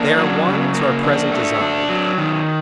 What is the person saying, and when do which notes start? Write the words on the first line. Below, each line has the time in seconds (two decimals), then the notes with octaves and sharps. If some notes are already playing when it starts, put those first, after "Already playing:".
They are one to our present design.
Already playing: A#3 D4
0.17 F#3
0.47 C#3
0.75 A#3
1.03 D4
1.32 A3
1.61 D4
1.89 F#3
2.18 D#3